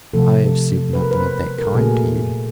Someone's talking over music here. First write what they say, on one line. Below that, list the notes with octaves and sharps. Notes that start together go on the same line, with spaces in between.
"I have said nothing of that kind to you."
C3 F3 A3 A4
B4
A#4
B4
C5
A#4
A4
A#2 F#3 A3 G#4